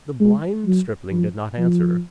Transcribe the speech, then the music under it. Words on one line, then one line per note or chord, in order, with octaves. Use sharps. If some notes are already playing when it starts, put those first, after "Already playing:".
The blind stripling did not answer.
G#3
F#3
F3
F3